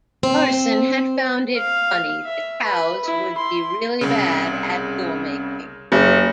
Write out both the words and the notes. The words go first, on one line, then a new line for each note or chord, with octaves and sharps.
Larson had found it funny that cows would be really bad at toolmaking.
C4
F5
E5
B4
E4
C6
C2 C#3
F#1